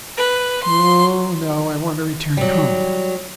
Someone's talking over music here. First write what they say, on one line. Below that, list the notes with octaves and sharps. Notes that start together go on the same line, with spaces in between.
"No, no. I want to return home."
B4
C6
F#3 G3